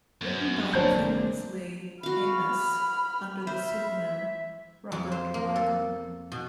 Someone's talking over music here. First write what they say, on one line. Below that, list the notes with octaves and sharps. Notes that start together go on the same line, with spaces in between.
Written by Kingsley Amis under the pseudonym Robert Markham.
F#2
A#1 A#2 D3 C4 D4 C5 A5 G6
F#4 F5 B5 F6
C5 E5
F2
C5
A#3
A4
B2